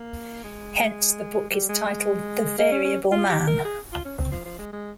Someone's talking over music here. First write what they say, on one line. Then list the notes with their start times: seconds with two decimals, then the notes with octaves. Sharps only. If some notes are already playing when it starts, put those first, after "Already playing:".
Hence, the book is titled "The Variable Man".
Already playing: A#3
0.44 G#3
1.50 G3
1.69 G#3
1.87 G#3
2.58 A#3
2.72 C#4
2.84 C#4
3.12 F4
3.29 G4
3.48 A#4
3.65 G#4
3.92 F4
4.05 C#4
4.19 C4
4.31 F3
4.45 F3
4.59 G#3
4.73 G#3